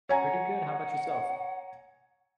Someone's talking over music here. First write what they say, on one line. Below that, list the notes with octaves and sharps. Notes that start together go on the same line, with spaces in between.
Pretty good. How about yourself?
C#5 F#5 G#5 A#5